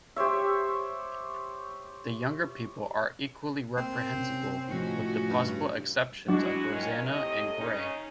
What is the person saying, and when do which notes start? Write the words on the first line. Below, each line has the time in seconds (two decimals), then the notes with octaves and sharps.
The younger people are equally reprehensible, with the possible exceptions of Rosanna and Gray.
0.16 G4 C5 C#5 E5
3.77 A#3 C4
4.14 C3 C#4
4.68 A2 F3 C#4 D#4 F#4
5.29 G2
6.28 F#3 G#3 D4 E4 F#4
6.73 D#3 A#3 C#4
7.07 A2 C3 D#5
7.58 C#3 C#4 D#4